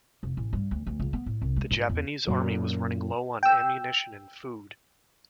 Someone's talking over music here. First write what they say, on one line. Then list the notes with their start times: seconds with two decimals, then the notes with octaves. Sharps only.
The Japanese Army was running low on ammunition and food.
0.23 F1
0.37 A1
0.53 G2
0.71 D2
0.87 D2
1.00 C#2
1.13 B3
1.26 A2
1.41 C2
1.56 G#3
1.71 G#2
1.90 E2
2.27 F#2 A#2 F#3
3.43 G5 E6